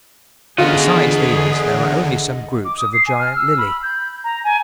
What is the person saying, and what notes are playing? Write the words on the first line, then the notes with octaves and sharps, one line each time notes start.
Besides these there are only some groups of the Giant Lily.
E2 D3 F4 G#4 D#5 F#5
D6
D#6
C7
G#5
F6
E6
B5
G6
A#5
G#5